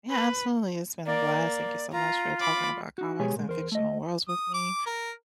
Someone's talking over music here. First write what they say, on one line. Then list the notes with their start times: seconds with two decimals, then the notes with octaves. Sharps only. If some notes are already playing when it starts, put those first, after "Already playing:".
Yeah, absolutely, it's been a blast. Thank you so much for talking about comics and fictional worlds with me.
0.10 B4
1.06 A#3 D5
1.92 F4 A#5
2.39 B5 D6
2.98 D#4 F#4
3.19 B2 G#3 G4 G#4 C#5 G#5
3.36 A#2 G#3
3.47 E2 A#4 C5
3.72 A3 D#5
4.29 D#6
4.54 D6
4.86 A#4